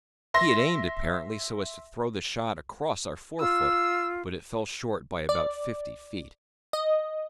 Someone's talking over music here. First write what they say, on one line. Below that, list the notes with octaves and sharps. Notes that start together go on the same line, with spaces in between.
He had aimed apparently so as to throw the shot across our fore-foot; but it fell short by about fifty feet.
E5 C6 A#6
F4 E6
D5
D#5